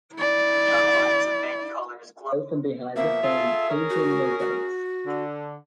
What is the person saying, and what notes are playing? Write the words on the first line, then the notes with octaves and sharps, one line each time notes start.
Neon lights of many colors glow from behind the framed painted mosaics.
E4 D5
B2 F3 A#3 E5
F4 G#4 A4
C#4 G#4 A#4
F#4
F#4
D3